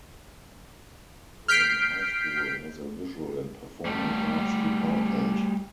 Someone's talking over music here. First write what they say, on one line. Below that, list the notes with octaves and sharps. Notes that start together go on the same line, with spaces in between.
Lincoln High School has a Visual and Performing Arts Department.
F6 G6 B6 C7 D7
G3 A3